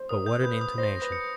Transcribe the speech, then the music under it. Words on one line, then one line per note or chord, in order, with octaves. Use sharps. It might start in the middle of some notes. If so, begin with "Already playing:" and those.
But what an intonation!
Already playing: C5
A#4 D#6
G6
B4 G6
D#6
C5 A#6
A#6
B4
C#7